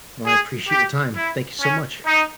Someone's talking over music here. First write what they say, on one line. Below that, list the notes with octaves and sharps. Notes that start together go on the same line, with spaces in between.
Well, I appreciate your time. Thank you so much.
G#4
G4
E4
C#4
D#4